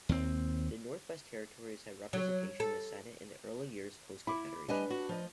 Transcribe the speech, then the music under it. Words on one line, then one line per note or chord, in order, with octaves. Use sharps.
The Northwest Territories had representation in the Senate in the early years post-Confederation.
D#2 C4
F#3
A4
E4 B5 D6
G3 D4 B4 D#5 G#5
F#4
F3 D#5